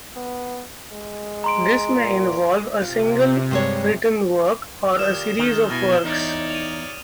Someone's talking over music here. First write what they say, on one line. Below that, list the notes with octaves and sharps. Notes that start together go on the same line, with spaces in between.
This may involve a single written work, or a series of works.
B3
G#3
A#5 C6 D7
A#2
C3 F4
G2 G#3 C#5
A#2 D#3 G4 D#6 F6 E7
D#3 A3 D4 D#4 A4 G7
B2 E4 G#5
E2 D#4 C#5 D5
D#7 F7